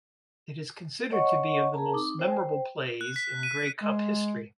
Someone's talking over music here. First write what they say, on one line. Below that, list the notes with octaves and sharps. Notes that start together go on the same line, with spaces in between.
It is considered to be of the most memorable plays in Grey Cup history.
C#5 D#5 F#5 C#6
G#4 A#4 A5 A#5
C4 D#4 D6
C5 G5
F#6
B6
D#7
G#3